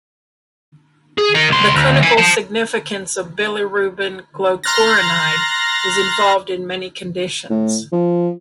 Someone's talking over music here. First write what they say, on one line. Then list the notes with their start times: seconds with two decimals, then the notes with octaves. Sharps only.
The clinical significance of bilirubin glucuronide is involved in many conditions.
1.18 G#4
1.35 A#4 D#5
1.49 C#2 C6
1.74 D2
2.03 E5 G#5
2.17 C5 A5
4.64 A#5 C6 F6 F#6 A6 A#6
7.50 A2
7.93 F3